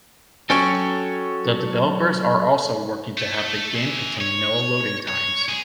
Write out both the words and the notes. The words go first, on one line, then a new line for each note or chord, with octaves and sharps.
The developers are also working to have the game contain no loading times.
F#3 C#4 A4 C#5 G5
A3
G#4 E5
C#5
C#5
B1 G#4